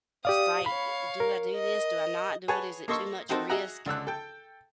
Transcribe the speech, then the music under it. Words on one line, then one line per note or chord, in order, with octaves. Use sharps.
It's like, "Do I do this? Do I not do it? Is it too much risk?
G4 D5 F5 D#6
C#5 F5 B5
A#4
D#5
G#4 B4 C#5 F#5 G#5 A5
A#3 A4 D#5 C6 C#6 E6
C4 D#4 F#4 A4 A#4 C5
F#4 G#4 D#5 E5 F#5 A#5
C#2 D3 E6 F#6
A4 G5